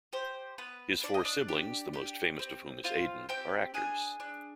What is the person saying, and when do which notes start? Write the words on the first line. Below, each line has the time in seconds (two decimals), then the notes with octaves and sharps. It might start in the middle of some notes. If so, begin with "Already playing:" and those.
His four siblings, the most famous of whom is Aidan, are actors.
0.13 G4 C5
0.58 B3 B4
1.03 D4 D5
1.14 D#5
1.25 D4 D5
1.49 G4
1.93 G4
2.39 C4
2.84 C4 F4 F5
3.29 C4 G4 G5
3.74 D4 G#4 G#5
4.20 D4